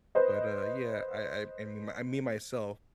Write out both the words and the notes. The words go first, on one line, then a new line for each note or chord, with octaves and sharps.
But, uh, yeah, I I I mean I mean, myself?
B4 C5 D#5